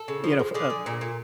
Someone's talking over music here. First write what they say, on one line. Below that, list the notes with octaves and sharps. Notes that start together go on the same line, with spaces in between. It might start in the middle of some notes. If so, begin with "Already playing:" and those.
you know, f uh
Already playing: A4
C#3
F3
G#3
D3 G#4
D3
A#2
A#2